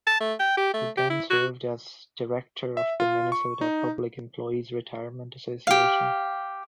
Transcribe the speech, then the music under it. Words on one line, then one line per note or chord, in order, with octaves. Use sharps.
He then served as director of the Minnesota Public Employees Retirement Association.
A5
A3
G5
G4
A3
G4
E4
F#4
E5
F4
C#6
D#4
G4 F5